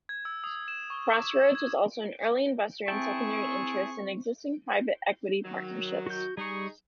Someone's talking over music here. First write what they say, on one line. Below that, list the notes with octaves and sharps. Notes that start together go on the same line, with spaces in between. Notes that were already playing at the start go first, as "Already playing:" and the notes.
Crossroads was also an early investor in secondary interests in existing private equity partnerships.
G#6
E6
D#6
E7
C#6
D6
E6
G#6
C4 E4 G#4 G5 A5 C#6
D#3 F#3
F#4 G6
G3 D#4 G#4 C#6